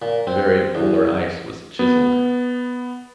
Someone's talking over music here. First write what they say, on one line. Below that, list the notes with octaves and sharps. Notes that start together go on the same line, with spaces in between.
The very Polar ice was chiseled.
A#2
C4
E2
B3